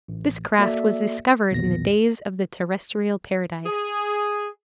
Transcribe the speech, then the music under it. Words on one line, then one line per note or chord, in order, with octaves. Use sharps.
This craft was discovered in the days of the terrestrial paradise.
A1
A#3 F#4 A4 D5 E5
B1 E2 A#2 D#3 A#6
G#4